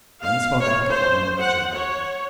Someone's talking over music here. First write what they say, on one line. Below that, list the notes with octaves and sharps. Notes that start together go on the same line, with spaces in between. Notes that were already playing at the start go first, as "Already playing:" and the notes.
Then spoke out the foreman of the jury.
F5
C#5
C5
F#5
C#5